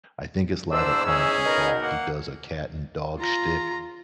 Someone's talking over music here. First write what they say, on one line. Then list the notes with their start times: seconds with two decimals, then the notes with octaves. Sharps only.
I think it's Live at Carnegie Hall; he does a cat and dog shtick
0.72 E2 G#2 D4 C5 E6
1.06 C#4 G#4
1.45 B2 D#4 A#4
1.81 A#3 F#5
3.18 F4 A#5